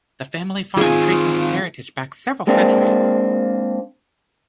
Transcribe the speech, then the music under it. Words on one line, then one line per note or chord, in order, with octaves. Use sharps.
The family farm traces its heritage back several centuries.
D#3 C4 F4 G#4 G#5
G#3 A#3 C4 D4